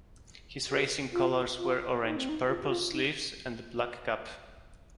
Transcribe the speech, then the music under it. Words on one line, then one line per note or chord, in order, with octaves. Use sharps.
His racing colours were orange, purple sleeves, and black cap.
G4
F4
F4
D#4
C4
D#4
F4
G4
F4
D#4